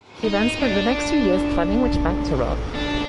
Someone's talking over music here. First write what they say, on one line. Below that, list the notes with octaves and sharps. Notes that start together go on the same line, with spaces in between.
He then spent the next two years planning which bank to rob.
D#4
D4
D4